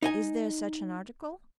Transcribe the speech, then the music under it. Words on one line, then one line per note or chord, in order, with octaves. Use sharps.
Is there such an article?
D#4 D#5 G#5